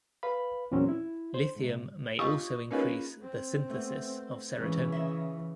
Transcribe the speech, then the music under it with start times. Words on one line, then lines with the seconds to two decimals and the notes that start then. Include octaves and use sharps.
Lithium may also increase the synthesis of serotonin.
0.23 B4 F5 B5
0.71 E2 A#2 F#3 C4 C#4
0.89 E4
1.34 C5
1.56 G#2 C3
2.19 F4 G4 D#5 C#6 D#6
2.71 A#3 C#4 D#4 F4 G#4 B4
3.22 C4
3.70 A3 B3
4.57 G#2 C#3 E3
4.92 D#5 E5